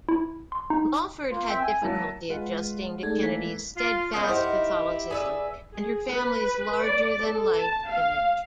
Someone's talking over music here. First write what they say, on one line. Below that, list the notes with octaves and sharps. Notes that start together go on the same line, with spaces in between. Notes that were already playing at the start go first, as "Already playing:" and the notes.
Lawford had difficulty adjusting to Kennedy's steadfast Catholicism and her family's larger-than-life image.
E4
C6
D#4
A#3 F4
C4 E5 G5
G#5
F#3 A#3 E4 A5
G#3 F4 B4 F#5
A3 D#4 G#4 A4 D5 G#6
E3 A#3 B6
F4
B3 C#4 D#4 G#4 A#4 F5 D#6
E4 G4 C5 D#5 F#5
G#4 B4 D5 E5
G#4
B4
D5
A4
A5
F5